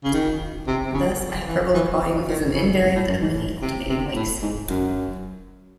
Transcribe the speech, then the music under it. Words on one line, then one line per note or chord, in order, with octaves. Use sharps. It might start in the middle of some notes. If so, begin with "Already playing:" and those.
Thus hyperbolic volume is an invariant of many alternating links.
C#3
D#3
C3
C3
C#3
E3
E3
E3
D#3
C#3
C3
A2
F#2
G#2
A2
C3
C3
A2
G#2
F#2